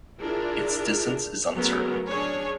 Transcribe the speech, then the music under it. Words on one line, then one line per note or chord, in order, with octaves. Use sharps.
Its distance is uncertain.
D4 E4 F4 G#4 A#4
F#3 A3 B3 C#4 G#4 A#4
C#4 D4 G#4 C#5 G#5